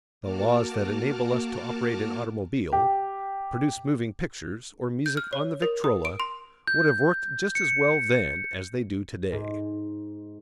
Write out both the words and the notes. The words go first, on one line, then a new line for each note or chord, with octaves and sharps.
The laws that enable us to operate an automobile, produce moving-pictures, or music on the Victrola, would have worked just as well then as they do today.
A#3 F#4 A5 D6 F6
G4
G6
F6
C#5
A#4
D#6
D7
C6
G6
C#7
G#2